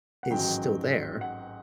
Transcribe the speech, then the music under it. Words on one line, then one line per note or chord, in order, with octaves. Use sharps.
is still there
F#5
A1 G#2 D#3 F#3 G5
F#5